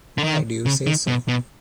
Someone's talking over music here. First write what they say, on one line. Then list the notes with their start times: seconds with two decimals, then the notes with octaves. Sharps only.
Why do you say so?
0.18 D3
0.24 D#3
0.66 C#3
0.87 D#3
1.08 B2
1.28 B2